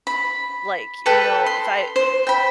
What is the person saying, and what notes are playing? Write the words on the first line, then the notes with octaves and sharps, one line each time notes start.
Like, you know, if I
B5
A4 B4 G5 B5
C6
C5
G5 B5